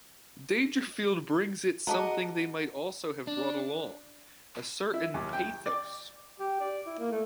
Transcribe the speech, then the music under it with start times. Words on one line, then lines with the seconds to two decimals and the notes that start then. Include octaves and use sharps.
Dangerfield brings it something they might also have brought along: a certain pathos.
1.87 F#4 G#4 D#5 A5 A#5
3.27 D4
4.94 E4
5.14 D#2
5.33 G5
5.66 D5
6.40 G4
6.61 D5
6.86 E4
6.99 A#3
7.12 A3